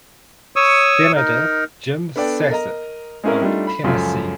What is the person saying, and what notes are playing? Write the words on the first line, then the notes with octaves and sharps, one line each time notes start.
Senator Jim Sasser of Tennessee.
C#5 C#6 D#6 E6
D#4 A#4
B3 D4 A4 D5 G5
A#4 D#5 A#5
G#3 C4 C#4 E4 A#4
G3 A3 D4 D#4 F4
B5
C#2 F#2 F3 F4 A4 G#5